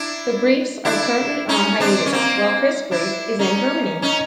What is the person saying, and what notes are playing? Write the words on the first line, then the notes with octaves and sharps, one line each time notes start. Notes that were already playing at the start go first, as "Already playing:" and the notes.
The Briefs are currently on hiatus while Chris Brief is in Germany.
Already playing: D4 E4
D4 E4
C#4 D#4
C4 D4
C#4
A#3 C4
D4 E4
C#4 D#4
C#4 D#4